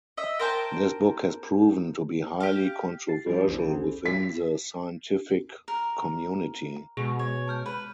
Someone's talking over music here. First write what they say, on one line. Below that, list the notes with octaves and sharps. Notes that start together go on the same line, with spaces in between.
This book has proven to be highly controversial within the scientific community.
D#5 E5
A#4 C5 G5 A5
G4 F5
A6 C7
F3 G3 C#4
B1 E2 E3 D4 C5
C#4 G#4 A4
B6
A#4
B2 G#3 G#4 C#6
C#5
A5 F6 G6
B4